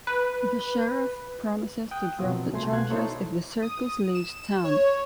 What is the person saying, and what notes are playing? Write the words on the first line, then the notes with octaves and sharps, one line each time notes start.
The Sheriff promises to drop the charges if the circus leaves town.
B4
G5 D#6 F#6
F#2 B2 F3 F#3 C4 F4
C2 A3 G#5 C6
B2 F5 F#6 G#6
D#4 E4 A4 C5 C#5
D#6
E7
C#5